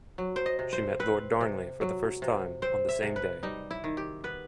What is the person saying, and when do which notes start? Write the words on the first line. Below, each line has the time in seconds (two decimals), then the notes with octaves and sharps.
She met Lord Darnley for the first time on the same day.
0.18 F#3
0.36 C5
0.46 D#5
0.59 C3
0.73 C5
1.00 C4 B4
1.41 C3
1.81 F#3
2.22 C3
2.62 C4 C5
2.89 E5
3.02 C3
3.16 B4
3.43 G3 D#4
3.71 E4
3.84 D#3
3.97 G4
4.24 B3 B4